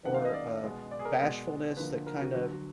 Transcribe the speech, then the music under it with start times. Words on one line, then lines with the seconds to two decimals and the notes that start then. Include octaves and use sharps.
or, um, bashfulness that kinda
0.05 F#2 D#3 A#3 F#5
0.14 F5
0.25 D#5
0.34 D5
0.62 B2 G#3 B3
0.91 D5
0.99 G#4
1.05 A#4
1.20 B2 G#3 B3 D5
1.77 D2 D3 F3 A#3 B4
2.07 A#4
2.21 F#4
2.34 D2 D3 F#3 F#4
2.52 F#4